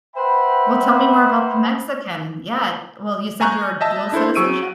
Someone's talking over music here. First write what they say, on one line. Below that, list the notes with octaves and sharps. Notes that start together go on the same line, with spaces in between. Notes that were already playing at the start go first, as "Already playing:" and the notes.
Well, tell me more about the Mexican yeah, well, you said you're a dual citizenship?
B4 C5 E5 F#5 G5 B5
G#5 A#5 C#6 F#6 G6
D#5 E5 A5
D4 E4 A4 C5
F#3 G#4 C#6 E6 D7 D#7